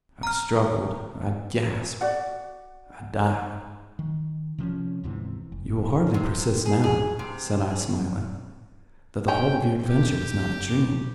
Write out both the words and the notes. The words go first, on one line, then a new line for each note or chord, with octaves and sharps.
I struggled--I gasped--I died." "You will hardly persist now," said I smiling, "that the whole of your adventure was not a dream.
A#5 F6
F#4 D5 F#5
D#3
C3 F3 C4 C#4
D2 G#2 C3 E3
F1
C3
G#4
G#4
C3
G#4
D3 D#3 C#4 G5
G4